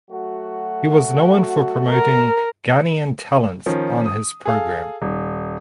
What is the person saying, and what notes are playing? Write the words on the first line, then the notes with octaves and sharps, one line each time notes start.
He was known for promoting Ghanaian talents on his program.
F#3 A3 F#4
A#4
D#3 F3 C#4
D#6
G#4 A4 F5
D#1